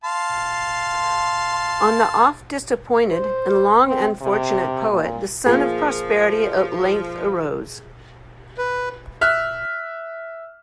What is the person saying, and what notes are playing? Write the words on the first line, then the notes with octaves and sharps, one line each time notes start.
On the oft-disappointed and long unfortunate poet the sun of prosperity at length arose.
F5 A5 C6
C5
C4
C3
A#2
F3 A#3 F4 G#4
B4
E5 F6 F#6